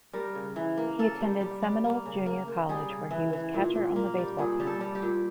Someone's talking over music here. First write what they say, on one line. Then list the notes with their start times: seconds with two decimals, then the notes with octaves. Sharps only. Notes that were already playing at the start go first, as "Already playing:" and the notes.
He attended Seminole Junior College where he was catcher on the baseball team.
0.13 G3 A#4
0.35 C#3
0.56 E3
0.77 A#3
0.99 A#3 A4
1.21 G3
1.41 G3
1.62 G3
1.84 A#3
2.06 C#3
2.26 A#3
2.48 A#3
2.69 G3 G#4
2.90 C#3
3.11 E3
3.33 E3
3.54 A#2
3.75 A#2
3.96 A#3
4.18 G3
4.38 A#2 G#4
4.60 G3
4.67 A4
4.81 G3
4.95 G4
5.02 A#2